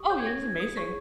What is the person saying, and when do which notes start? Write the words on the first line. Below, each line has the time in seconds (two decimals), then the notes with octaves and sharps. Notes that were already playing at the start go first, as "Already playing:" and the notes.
Oh yeah, he's amazing.
Already playing: G4 C#6 D#6
0.10 C#5 G6
0.20 G#6
0.27 A#6
0.43 D#4 G#6
0.60 D#6
0.77 G#4 C#5 C#6